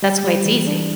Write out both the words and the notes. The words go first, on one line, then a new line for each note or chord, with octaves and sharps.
that's why it's easy.
G3
G3
E3
D4